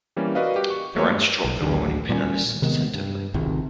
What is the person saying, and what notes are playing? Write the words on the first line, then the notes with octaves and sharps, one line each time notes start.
The rats dropped the rolling-pin, and listened attentively.
E3 G3 A#3 C#4
F#4 A#4 B4 D5 D#5 F5
G4
C#6
F#3 A3 A#3 C#5
G2
B1
A1 D2 D3 F#3
A#2 G3 A#3 C#4
C3 D#3 G#3 B3
G2
G#1 C#2 C3 D#3